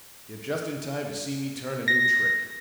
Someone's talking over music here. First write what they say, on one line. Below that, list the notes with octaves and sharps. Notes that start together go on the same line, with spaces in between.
You're just in time to see me turn a new trick.
A#6